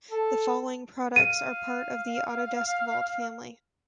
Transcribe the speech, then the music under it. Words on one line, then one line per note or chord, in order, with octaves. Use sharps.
The following products are part of the Autodesk Vault Family.
A4
F5 D#7